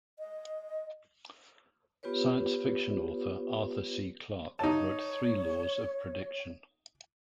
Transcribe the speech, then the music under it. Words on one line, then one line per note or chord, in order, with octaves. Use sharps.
Science fiction author Arthur C. Clarke wrote three laws of prediction.
D#5
B3 F4 G4 B4 C#5
D#4 C#5 A5